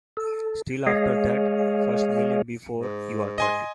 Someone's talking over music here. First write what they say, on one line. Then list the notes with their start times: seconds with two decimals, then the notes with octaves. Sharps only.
Still after that first million before you're thirty.
0.17 A4
0.87 G#3 G#4 C#5 D#5 F5
2.77 G#2
3.38 D#5 G#5 C6